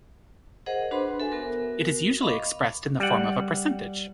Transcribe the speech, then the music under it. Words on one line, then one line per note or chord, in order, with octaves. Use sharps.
It is usually expressed in the form of a percentage.
G#4 A#4 C5 D#5 F#5
D4 F#4 B4 C5 B5 C6
A4 E5 G#5
B3 F#4 A#4
D#5 F5 B5 C#6 D6
G3 F#5